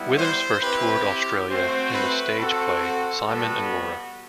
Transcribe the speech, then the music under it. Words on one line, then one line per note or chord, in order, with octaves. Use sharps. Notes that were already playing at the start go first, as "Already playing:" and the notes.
Withers first toured Australia in the stage play "Simon and Laura".
Already playing: G3 B3 E4
C5
C4 E4 G4 B4
A3 C4 F#4 C5
B4
C4 F#4 A4
A4
G3 B3 F#4 A4